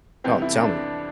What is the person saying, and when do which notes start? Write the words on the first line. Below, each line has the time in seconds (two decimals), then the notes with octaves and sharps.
Oh, tell me.
0.24 F2 C3 E3 G3 B3 C4
0.42 E4
0.60 D4